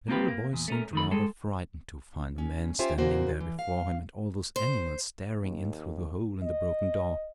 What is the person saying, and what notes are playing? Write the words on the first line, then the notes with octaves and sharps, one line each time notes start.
The little boy seemed rather frightened to find a man standing there before him and all those animals staring in through the hole in the broken door.
A#3 C4 F4 G4 B4
A#3
E2 A#2
A3 C#4 A#4
D#3 A3 B5
G3 G#3 G#4 A4
C#4
C#4 F4 G4 C5 E5 G#5
A#2 C#3 E3 A#3 F#4 C5
E3
F5
C5
D#2
D#5